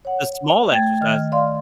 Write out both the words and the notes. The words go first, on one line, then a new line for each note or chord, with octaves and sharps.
the small exercise
C#5 F#5
A3 G5 G#6 A6
D#3 F6
D5 F5 C6